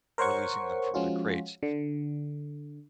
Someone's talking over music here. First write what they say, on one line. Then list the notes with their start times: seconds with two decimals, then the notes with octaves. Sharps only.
releasing them from their crates,
0.18 A#4 C5 C#5 F#5 C#6
0.94 F3 G#3 C#4 F4 F#4
1.63 D3